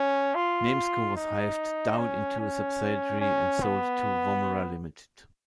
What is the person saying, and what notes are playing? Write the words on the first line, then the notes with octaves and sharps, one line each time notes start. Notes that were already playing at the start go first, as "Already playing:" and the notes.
Namesco was hived down into a subsidiary and sold to Womerah Limited.
Already playing: C#4
F4
D#4
C#4
C#4
C#4
B3